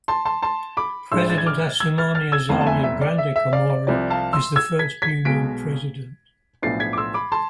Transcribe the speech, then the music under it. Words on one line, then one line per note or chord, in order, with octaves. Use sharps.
President Assoumani Azali of Grande Comore is the first Union president.
A5 C6
A5 C6
A5 C6
B5 D6
A1 A2 G#3 D4 C6 E6
A6
G#6
D6 F6
E6 G#6
F6 A6
F6 A6
E6 G#6
F1 E2 C3 E3 A3 F5 A5
A5
E5 G#5
E5
D5
E5
E5
D5 F5
D5
C2 C3 F3 D5
F5 A5
C6 E6
E6 G#6
G#6 B6
G#6 B6
B1 B2 G#3 B6 D7
B1 A2 F3 B3 D4 A6 C7
G#6 B6
D6
C6 E6
B5 D6
A5 C6